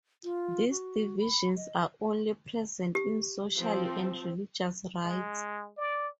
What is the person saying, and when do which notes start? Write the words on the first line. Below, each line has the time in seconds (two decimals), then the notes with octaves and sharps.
These divisions are only present in social and religious rites.
0.24 F4
0.70 F#4
1.20 B5
1.56 D#5
2.95 G4
3.58 F3 C4
5.05 G#3
5.77 D5